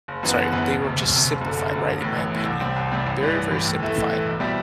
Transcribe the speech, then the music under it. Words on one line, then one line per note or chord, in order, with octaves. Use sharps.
sorry, they were just simplified, right, in my opinion. Very, very simplified,
F#1
F#2 E3 B3
F#1
F#2 E3 B3
E1
D2 C3
E1
D2 C3
F#1
F#2 D3
F#1
F#2 D3
A1
A2 E3
A1
A2 E3
C2
C3 G3 C4
C2
C3 G3 C4
A1
G2 E3 G3
A1
G2 E3 G3
A2
E3 A3 E4
A2
E3 A3 E4
B1
B2 G3 C4 E4